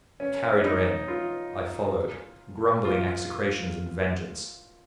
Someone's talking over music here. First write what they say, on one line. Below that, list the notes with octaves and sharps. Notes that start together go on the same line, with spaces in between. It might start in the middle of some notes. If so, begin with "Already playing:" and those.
He carried her in; I followed, grumbling execrations and vengeance.
C#4
D#4
F4
F4